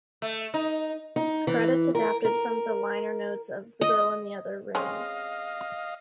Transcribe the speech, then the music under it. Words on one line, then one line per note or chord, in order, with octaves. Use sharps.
Credits adapted from the liner notes of "The Girl in the Other Room".
A3
D#4
D#4
E3
A#4
A#4
D#5
G#3 C4 C#4 D#5 F5